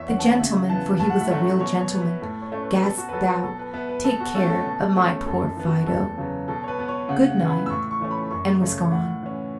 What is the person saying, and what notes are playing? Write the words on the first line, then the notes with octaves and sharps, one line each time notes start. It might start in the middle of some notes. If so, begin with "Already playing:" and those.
The gentleman--for he was a real gentleman--gasped out, 'Take care of my poor Fido; good-night,' and was gone.
Already playing: E2 C#5 E5
E3 C#4 F#5
A5
F#5
C#3 E5
E3 B3 A5
A2 A5
F#5
E5
F#3 A3 C#4 F#5
B2 C#5
C#5
B3
E5
A2 A4
C#5
A3 C#4
B4
B4
B2 A4
F#4
B4
F#3 B3 A4
F#4
B2 A4
B4
B3 E5
B4
B2 A4
F#4
A3 C#4 A4
A4
B2
A3 C#4
F#2 A4
E3 B3
F#4
E2 A4
C#3 F#3 B3
B2 A4
C#5
B4
B3
C#5
C#3 F#5
F#5
E3 B3
B5
E6
A2 C#6
C#6
E3 A3 C#4
B5
F#2 C#6
C#3 A3 C#4
A2 F#5
E3 C#4